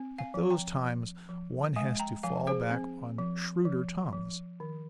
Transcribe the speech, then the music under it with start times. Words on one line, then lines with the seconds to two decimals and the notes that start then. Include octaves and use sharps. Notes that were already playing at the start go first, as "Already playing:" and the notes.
At those times one has to fall back on shrewder tongues.
Already playing: C4
0.18 F5 G#5
0.34 F3
0.50 G5 A#5
0.82 F3
1.29 F3
1.76 G#3 F5 G#5
1.99 G5 A#5
2.23 F3 F5 G#5
2.47 G#4 C5
2.71 C4
3.19 F3
3.65 F3
4.12 F3
4.60 D#3